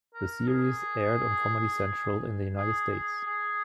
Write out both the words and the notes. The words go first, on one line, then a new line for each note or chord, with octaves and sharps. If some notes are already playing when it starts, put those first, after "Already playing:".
The series aired on Comedy Central in the United States.
A#4
G#4
G#4
G#4
G#4